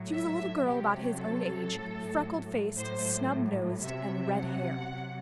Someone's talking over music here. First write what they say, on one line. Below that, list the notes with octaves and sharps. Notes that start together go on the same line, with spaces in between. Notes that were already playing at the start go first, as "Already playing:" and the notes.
She was a little girl about his own age, freckle-faced, snub-nosed and red-haired.
Already playing: A2 F#3
E5
C3 F#3 G4
A4
A2 F#3
A2 F#3 C5
C3 F#3 E5
F#5
C3 F#3